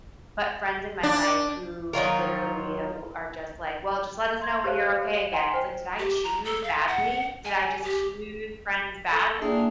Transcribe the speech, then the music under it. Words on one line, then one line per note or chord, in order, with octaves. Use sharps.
but friends in my life who literally ha are just like, "Well, just let us know when you're okay again," it's like, "Did I choose badly, did I just choose friends badly?"
D4
D#3 F#3 F4 A#4
E5 C6 G#6
G4 C5 C#5 F5 F#6
D#5 F#5 G#5 A#5 C6
C5 G5
G4
A#5
A4
F5
F#5
G#5
G4
A4
A#3 D4 G#4 E5 G5